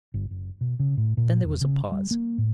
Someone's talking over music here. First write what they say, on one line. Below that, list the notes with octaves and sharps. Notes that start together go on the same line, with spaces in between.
Then there was a pause.
G1
F#1
B2
C#3
A2
A#2
E1
C#3
G3
A#3
A2